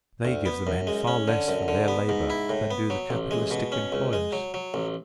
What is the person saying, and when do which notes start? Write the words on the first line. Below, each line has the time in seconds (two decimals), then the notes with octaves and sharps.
They give the men far less for their labour than do the capitalistic employers.
0.25 D2
0.46 B3
0.67 F#2
0.87 G#3
1.07 C#4
1.28 D3
1.48 F#2
1.68 D3
1.88 B3
2.09 G#2
2.30 E4
2.49 A2
2.71 B3
2.90 F#3
3.10 A1
3.31 G#3
3.51 B2
3.72 C#4
3.92 C#2
4.13 G#3
4.32 F#3
4.54 F#3
4.74 A1